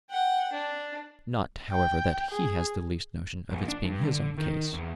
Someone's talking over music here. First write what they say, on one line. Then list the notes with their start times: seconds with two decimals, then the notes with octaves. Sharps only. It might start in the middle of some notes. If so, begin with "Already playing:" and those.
Not, however, that he has the least notion of its being his own case.
0.10 F#5 G5
0.53 D4
1.72 G5
2.31 G#4
3.50 A#1
3.68 D4
3.85 G2
4.04 D3
4.38 D#3
4.73 E2